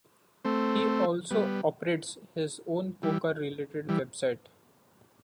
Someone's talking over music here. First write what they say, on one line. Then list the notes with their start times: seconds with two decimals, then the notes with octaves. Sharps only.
He also operates his own poker-related website.
0.45 A3 C4
1.30 G3 B3
3.03 E3 G3
3.89 E3 G3